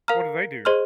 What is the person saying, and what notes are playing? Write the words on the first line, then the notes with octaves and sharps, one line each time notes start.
What do they do?
A#4 F5 A#5 F6
G#4 C5 D#5 C6 F6